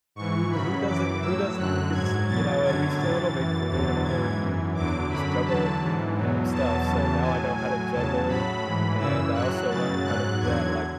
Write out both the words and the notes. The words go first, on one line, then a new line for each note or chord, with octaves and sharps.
who who doesn't who doesn't think it's, you know, at least a little bit cool whenever you can just juggle random stuff, so now I know how to juggle, and I also learned how to do that, like,
G#2 E3 C#6
F#2 C#3 F#3 B5
F#2 E3 D6
A2 F#3 E6
F#2 D3 F#3 F#6
G#2 F#3 G#6
E2 B2 F#3 A6
F#2 D3 F#3 G#6
A2 E3 A6
F#2 E3
E2 D3 F#3 A6
G#2 E3 G#6
F#2 E3
E2 D3 F#3 D6
F#2 D3 F#3 B5
E2 D3 F#3 A5
G#2 E3
E2 B2 F#3
E2 B2 F#3 A5
E2 C#3 E3
A2 F#3 G#5
A2 F#3 G#5
E2 C#3 F#3 A5
A2 F#3 B5
G#2 E3
F#2 C#3 E3 E6
A2 F#3 F#6
F#2 C#3 F#3 A6
G#2 F#3 F#6
E2 D3 F#3 G#6